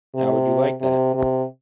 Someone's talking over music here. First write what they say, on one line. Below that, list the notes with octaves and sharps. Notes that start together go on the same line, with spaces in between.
How would you like that?
C3
C3
C3